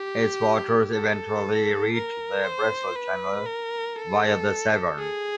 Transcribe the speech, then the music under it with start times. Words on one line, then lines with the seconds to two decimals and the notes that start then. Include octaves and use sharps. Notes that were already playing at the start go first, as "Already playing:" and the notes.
Its waters eventually reach the Bristol Channel, via the Severn.
Already playing: G4
0.92 A4
1.94 A#4
2.44 C5
2.96 B4
3.46 A#4
3.97 A4
4.98 G#4